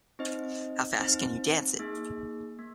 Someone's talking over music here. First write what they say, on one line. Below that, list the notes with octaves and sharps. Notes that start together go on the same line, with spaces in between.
How fast can you dance it?
C4 D#4 C5 D#5
C4 D#4 C5
A#3 D#4 G#4
A#3